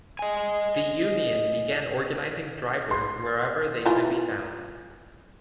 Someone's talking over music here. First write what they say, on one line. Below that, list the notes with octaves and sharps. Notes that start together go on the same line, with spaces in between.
The union began organizing drivers wherever they could be found.
D#5 G#5
C6
E3 F4 A#4